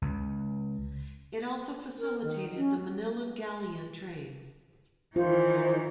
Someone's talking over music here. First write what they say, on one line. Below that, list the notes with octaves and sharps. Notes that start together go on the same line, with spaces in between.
It also facilitated the Manila Galleon trade.
C#2
A#4
D#3
C#4
D#3 E3 F4 C5